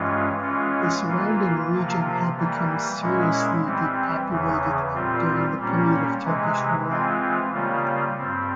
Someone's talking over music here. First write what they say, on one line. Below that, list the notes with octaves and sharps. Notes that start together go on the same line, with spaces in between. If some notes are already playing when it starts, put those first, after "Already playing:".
The surrounding region had become seriously depopulated during the period of Turkish rule.
Already playing: G2 E3 G#3 C#4 F4
E3 G#3 C#4 F4
E3 A#3 F4
C3 F3 A#3 F4
E3 G3 A#3
A#2 G#3 C#4 E4
E3 G3 C4
E2 C#3 E3
A#2 G3 C4 F4
A#2 G3 A#3 C#4
C3 E3 G#3
E3 G#3 C4 F4
C#3 G3 A#3 F4
G2 G3 C4